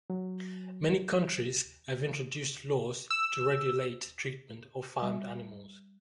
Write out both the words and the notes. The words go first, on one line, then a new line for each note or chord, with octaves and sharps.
Many countries have introduced laws to regulate treatment of farmed animals.
F#3
E6
G3